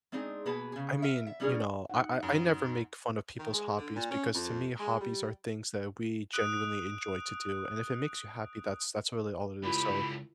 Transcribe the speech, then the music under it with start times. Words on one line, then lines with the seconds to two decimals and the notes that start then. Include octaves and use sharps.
I mean, you know, I I I never make fun of people's hobbies because to me, hobbies are things that we genuinely enjoy to do and if it makes you happy that's that's really all it is so,
0.12 G#3 C4 D4 D#4 G#4
0.46 B2 A#3 G#4 B4 A5
0.72 C#3 G#4
1.02 A#4 E5
1.26 E5
1.40 G3 C#4 D4 G#4 A#4
1.90 D#4 F#5
2.23 F#2
3.39 D#3
3.53 G#3
3.78 D3
3.96 A#2
4.11 C#4
4.34 F2
4.79 G#3
5.00 G3
6.33 D#6 F#6 D7
9.63 C#2 E4 F4 G4 A4 A#4 B5